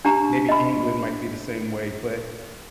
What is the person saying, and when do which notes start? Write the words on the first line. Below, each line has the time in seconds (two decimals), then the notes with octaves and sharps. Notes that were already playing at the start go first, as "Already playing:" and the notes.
maybe England might be the same way. But,
0.05 D4 G4 A#5
0.49 D#5 B5